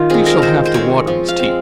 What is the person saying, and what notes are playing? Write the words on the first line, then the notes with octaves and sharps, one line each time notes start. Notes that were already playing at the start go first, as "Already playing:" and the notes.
"We shall have to water his tea."
Already playing: D#3 F4
G#3 C4 G#4
A#4
D#3 C5
C5
G#3 C4 C#5
F3
F5
G#3 C4